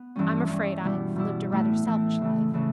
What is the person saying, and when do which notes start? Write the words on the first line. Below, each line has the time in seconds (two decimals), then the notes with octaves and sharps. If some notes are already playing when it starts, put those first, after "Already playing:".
I'm afraid I've lived a rather selfish life.
Already playing: B3
0.16 G2 E3 G3 C#4
0.48 G2 E3 G3 C#4
0.84 B2 G3 B3 E4
1.16 B2 G3 B3 E4
1.50 A2 E3 A3 E4
1.85 A2 E3 A3 E4
2.21 C#3 E3 A3
2.54 C#3 E3 A3